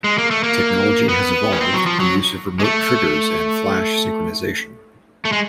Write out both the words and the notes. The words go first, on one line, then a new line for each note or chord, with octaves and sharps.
Technology has evolved with the use of remote triggers and flash synchronization.
G#3
A#3
A3
A#3
B3
C#4
C4
F#3
F3
F#3
G#3
A3
A3
G#3